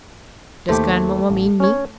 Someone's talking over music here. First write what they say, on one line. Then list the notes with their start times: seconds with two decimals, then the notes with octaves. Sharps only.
"Does grandmamma mean me?"
0.69 D#2 A3 G4 C5
1.30 A1
1.60 C#4 C#5